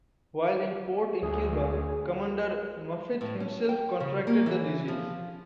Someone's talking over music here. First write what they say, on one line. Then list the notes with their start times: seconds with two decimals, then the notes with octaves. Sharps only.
While in port in Cuba, Commander Maffitt himself contracted the disease.
1.23 D2 G#4
3.21 A2
3.40 C#4
3.69 G5
4.00 C#3
4.27 A#3
4.46 E3
4.88 F3